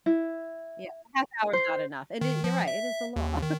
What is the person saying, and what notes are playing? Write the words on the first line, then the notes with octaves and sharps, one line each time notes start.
Yeah, a half hour is not enough and it you're right it is the law.
E4
C5
D#3
F3
E5
D#2
D#3